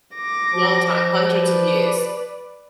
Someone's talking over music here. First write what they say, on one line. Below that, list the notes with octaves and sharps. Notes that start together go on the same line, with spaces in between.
Long time, hundreds of years.
D6 A#6
F3
B4 D5